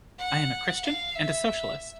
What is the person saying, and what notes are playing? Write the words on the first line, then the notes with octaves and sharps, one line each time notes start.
I am a Christian and a Socialist.
F#5
F5
E5